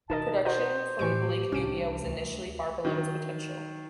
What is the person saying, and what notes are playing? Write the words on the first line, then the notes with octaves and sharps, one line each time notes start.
Production from Lake Nubia was initially far below its potential.
B2 D#3 D#4 A#4 D#5 A5
F#4 A#4 C5 D#5
A2 E3 G4 C#6 D7
C2 C#4 D4 E4 D7
D2
D#3 F#3